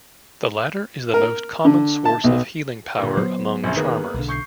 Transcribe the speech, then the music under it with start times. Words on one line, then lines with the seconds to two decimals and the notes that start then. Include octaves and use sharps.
The latter is the most common source of healing power among charmers.
1.14 A#4
1.65 D3
2.05 A5
2.24 B1
2.98 A#2 D3
3.17 F#3 B3 C5
3.64 A#1 F#2 C#3
3.76 D#3 A#3 B3 G#4
4.14 B1 D3
4.28 C#6 G6 C7